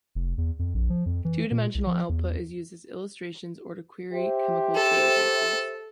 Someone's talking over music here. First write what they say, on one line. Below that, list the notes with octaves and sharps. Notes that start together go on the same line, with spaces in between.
Two-dimensional output is used as illustrations or to query chemical databases.
F1
E2
F2
A#1
F3
F2
E3
A#2
C2
F3
E2
G4 C5 E5
A4